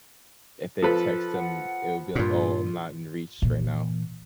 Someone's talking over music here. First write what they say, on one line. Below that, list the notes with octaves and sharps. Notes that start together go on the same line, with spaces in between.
if they text them, it will be like, "Oh, I'm not in reach right now,"
F3 A4 B4
F#5
G2 A#2 F4
A#2 E3